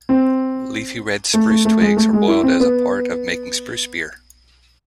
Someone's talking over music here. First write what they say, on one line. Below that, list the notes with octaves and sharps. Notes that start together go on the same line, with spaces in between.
Leafy red spruce twigs are boiled as a part of making spruce beer.
C4
A3
A3
A3
G#3
A3
G#3
E4
C4
B3